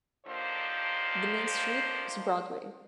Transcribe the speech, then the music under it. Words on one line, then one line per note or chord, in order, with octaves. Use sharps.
The main street is Broadway.
D#2 D3 F3 A#3 C5